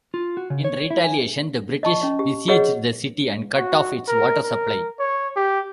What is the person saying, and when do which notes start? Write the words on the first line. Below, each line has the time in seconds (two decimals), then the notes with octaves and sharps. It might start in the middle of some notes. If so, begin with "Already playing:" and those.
In retaliation the British besieged the city and cut off its water supply.
0.14 F4
0.37 F#4
0.50 C#3
0.64 C#5
0.90 E4
1.04 G#5
1.83 D#5 A5 C#6
2.01 C#4 D#5
2.19 G4
2.48 F#4 G#4 B4 C#5 D#5 F#5
3.57 F#4
4.08 A#4
4.44 A#4
5.00 C#5
5.36 G4